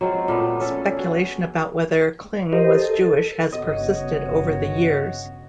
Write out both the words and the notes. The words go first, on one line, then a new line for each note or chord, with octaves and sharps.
Speculation about whether Kling was Jewish has persisted over the years.
F#3 G#3 C4 F4
A#2 A3 B3
A3 C#4 A4
F#4 G#4
G4 A#4 C5 D#5
A4
G1 C#3 B3 F#4 C#5 D#5